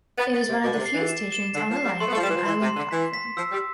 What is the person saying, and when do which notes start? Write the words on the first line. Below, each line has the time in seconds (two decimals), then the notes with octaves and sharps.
It is one of the few stations on the line with an island platform.
0.18 B3 A6
0.33 B3
0.41 A6
0.49 C3
0.64 B2 D6
0.73 D3
0.79 C3
0.86 C7
0.94 E3
1.09 E7
1.32 E7
1.54 D3 C7
1.70 F3
1.77 C7
1.84 G3
2.00 A3 C6
2.07 B3
2.12 A3
2.17 F3
2.23 G3 E7
2.29 E3
2.34 F3
2.45 E3 C6
2.61 C3
2.68 C6
2.76 D3
2.91 E3 B6
3.13 B6
3.36 F3 E6
3.51 G3